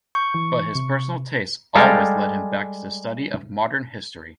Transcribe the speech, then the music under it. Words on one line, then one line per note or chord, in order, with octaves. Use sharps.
But his personal tastes always led him back to the study of modern history.
C#6 G6
E3
C3
G3 G#3 A4 F5 G5